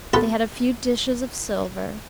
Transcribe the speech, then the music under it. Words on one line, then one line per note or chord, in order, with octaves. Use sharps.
They had a few dishes of silver.
B3 F4 G4 A4 B4